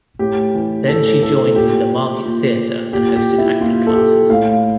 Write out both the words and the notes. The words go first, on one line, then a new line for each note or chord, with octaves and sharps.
Then she joined with the Market Theatre and hosted acting classes.
A2 G4
E3
A2 A4
E3 A4
A#2 G4
A#2
A#2 G4
G4
E4
A#2 F4
A4
G4
A2 F5